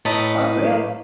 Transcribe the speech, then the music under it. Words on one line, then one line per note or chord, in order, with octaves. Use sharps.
Glad you're here.
A2 B4 D#5 A5 A#5